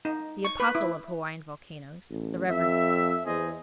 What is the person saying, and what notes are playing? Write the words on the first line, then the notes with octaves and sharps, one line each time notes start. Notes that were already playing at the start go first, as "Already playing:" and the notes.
The Apostle of Hawaiian volcanoes, the Rev.
D#4
C#6
B4
E4
A1
F2 E5
E2 G#4 C5 D#5